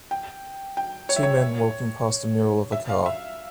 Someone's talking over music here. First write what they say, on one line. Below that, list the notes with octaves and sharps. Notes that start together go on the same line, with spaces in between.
Two men walking past a mural of a car.
G5
G5
C#5
E5
C#5
E5
F5
E5